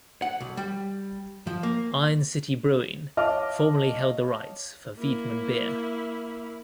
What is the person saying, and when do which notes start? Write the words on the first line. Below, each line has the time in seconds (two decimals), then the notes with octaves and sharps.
Iron City Brewing formerly held the rights for Wiedemann beer.
0.22 F#5
0.40 B1
0.57 G3
1.47 F3
1.63 A#3
3.17 C#5 D#5 F5 A5 D6 F6
4.99 A#3 E4